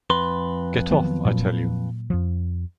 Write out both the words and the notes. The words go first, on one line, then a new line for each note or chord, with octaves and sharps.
Get off, I tell you.
F2 B4 C6
D#3 F#3 B3
A#2 F#3
F2 F3